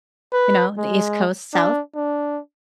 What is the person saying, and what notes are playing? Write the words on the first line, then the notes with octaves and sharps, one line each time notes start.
You know, in the East Coast, south,
B4
G#3
D4
D4